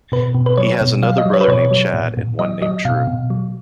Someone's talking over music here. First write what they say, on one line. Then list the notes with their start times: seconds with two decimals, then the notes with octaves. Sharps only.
He has another brother named Chad and one named Drew.
0.12 B2 B4
0.35 B2
0.46 B4
0.58 F#3 C#5
0.81 B2
1.03 F#3 F5
1.18 D#5
1.26 F#3
1.34 C#5
1.41 B4
1.48 B2 C#5
1.71 F#3
1.94 A#2
2.17 A#2
2.39 F#3 D#5
2.61 F#3 D#5
2.85 B2 F5
3.07 B2
3.30 F#3